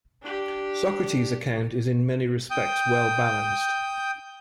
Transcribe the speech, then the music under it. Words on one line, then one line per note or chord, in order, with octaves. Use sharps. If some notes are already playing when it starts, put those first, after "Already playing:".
Socrates' account is in many respects well-balanced.
D4 G4
G5 D#6 G6